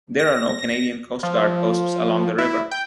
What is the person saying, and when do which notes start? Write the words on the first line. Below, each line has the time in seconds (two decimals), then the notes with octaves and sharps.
There are no Canadian Coast Guard posts along the river.
0.19 A#6
1.23 F3
2.38 E4
2.71 G5